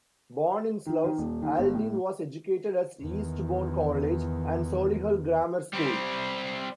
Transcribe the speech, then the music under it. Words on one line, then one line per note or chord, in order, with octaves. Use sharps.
Born in Slough, Aldin was educated at Eastbourne College and Solihull Grammar School.
D#3
D#3
D#1
D#3
G1
A2
E2 D#3
G3 C4